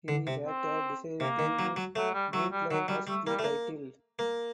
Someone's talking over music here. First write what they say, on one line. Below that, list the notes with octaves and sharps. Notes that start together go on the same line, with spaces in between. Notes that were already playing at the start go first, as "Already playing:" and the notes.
He later decided to use "Bootleg" as the title.
D3
C3
C4
C3 A#3
D#3
F#3
F#3
F#3 A3
G3
F#3 A3
G3
D#3 F#3
F#3 G3
G3 A3
G3 A#3
A3
A#3
A#3